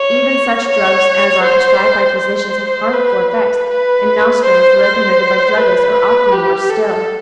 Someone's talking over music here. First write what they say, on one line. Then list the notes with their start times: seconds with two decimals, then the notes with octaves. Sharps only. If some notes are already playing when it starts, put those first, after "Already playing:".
Even such drugs as are prescribed by physicians have harmful effects, and nostrums recommended by druggists are often worse still.
Already playing: C#5
0.67 C#5
1.43 C5
2.18 C5
2.93 B4
3.31 B4
3.69 B4
4.44 C5
4.82 C5
5.57 B4
6.32 G4
6.70 A4